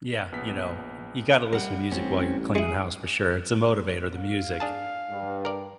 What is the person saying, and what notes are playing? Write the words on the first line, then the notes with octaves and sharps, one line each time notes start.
Yeah, you know, you gotta listen to music while you're cleaning the house for sure, it's a motivator, the music.
A#1 B3 B6
G3 A#4 F#5
A1 C4 C#4
G#3 E4 G#4 C#7
F5
D4 G#4 A5
G2
A#4 D5